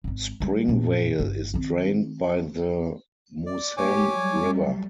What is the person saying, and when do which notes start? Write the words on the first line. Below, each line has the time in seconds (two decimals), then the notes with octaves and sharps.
Springvale is drained by the Mousam River.
0.04 G#1 G#3
0.40 E3 G3
0.68 F#2 A#2
1.20 G1
1.54 D#3 C4
3.46 D5
3.77 A#3 G4 C#5 G#5 D6
4.13 F#3 G3 A3